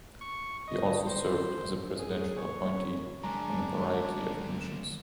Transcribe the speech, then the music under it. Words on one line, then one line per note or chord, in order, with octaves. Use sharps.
He also served as a presidential appointee on a variety of commissions.
C#6
D#5
C5
G#4
C#5
D2 D3 G#3 D4 A#5